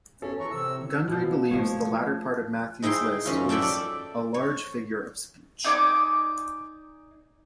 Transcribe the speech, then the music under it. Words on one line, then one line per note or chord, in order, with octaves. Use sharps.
Gundry believes the latter part of Matthew's list is "a large figure of speech".
C#4 A4
E3 A#5 C#6
A2 C3 E6
B2 F3
F3 A3 A#3 C#5
G#3 D#4 E4 G5 C6
F#2 C#4 F4
A4 D5 E5 G5 A5
D5
C#5
D#4 D5 G#5 D6